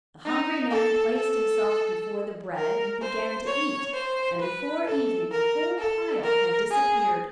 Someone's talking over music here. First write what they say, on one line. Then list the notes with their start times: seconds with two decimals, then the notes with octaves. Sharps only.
The hungry man placed himself before the bread, and began to eat, and before evening the whole pile had disappeared.
0.25 D#4
0.70 A4
1.16 A4
2.55 A#4
3.02 C5
3.47 C#5
3.93 C5
4.39 B4
4.85 A4
5.31 A#4
5.78 A4
6.23 A#4
6.70 G#4